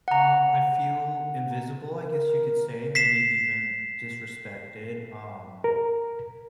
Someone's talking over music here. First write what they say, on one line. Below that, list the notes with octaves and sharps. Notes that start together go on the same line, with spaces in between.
Um, I feel invisible, I guess you could say, maybe even disrespected, um
F#5 A#5
A#4
B6 C7 E7
A#4